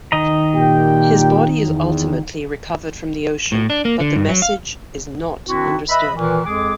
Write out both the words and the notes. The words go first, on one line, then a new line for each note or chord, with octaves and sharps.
His body is ultimately recovered from the ocean, but the message is not understood.
D#3 D#5 A#5
A#2 G4 G5
E2
A2
D4
A#3
D3
G2
F#3
F5
D#3 C4 D4 E4 F#4
B4 D#5 E5 B5
A#2 D#3 E3
F2 G#3 G#4 D6